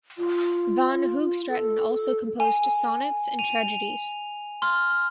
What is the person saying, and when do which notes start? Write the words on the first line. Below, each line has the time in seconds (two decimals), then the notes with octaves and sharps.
Van Hoogstraten also composed sonnets and tragedies.
0.18 F4
1.49 A4
2.40 G#5
3.39 D#7 F7
4.62 C6 F6